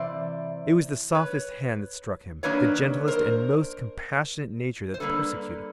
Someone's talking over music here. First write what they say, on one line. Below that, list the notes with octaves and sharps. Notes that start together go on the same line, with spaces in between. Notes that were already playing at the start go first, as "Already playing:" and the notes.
It was the softest hand that struck him, the gentlest and most compassionate nature that persecuted him.
Already playing: C3 E3 C5 D5
B4 C#5
D#3 F#3 A#3 D4 B4 C#5
A#4 C5
C5
D3 G3 A#3 A4 B4